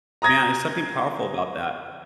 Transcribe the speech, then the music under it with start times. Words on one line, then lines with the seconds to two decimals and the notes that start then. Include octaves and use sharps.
man, there's something powerful about that.
0.22 A#5 D#6 G#6 A#6